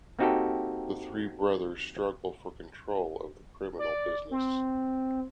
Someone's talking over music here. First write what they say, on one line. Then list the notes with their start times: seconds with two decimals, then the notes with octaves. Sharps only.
The three brothers struggle for control of the criminal business.
0.19 A#3 C4 D#4 F#4 G4 A4
3.79 D5
4.31 C4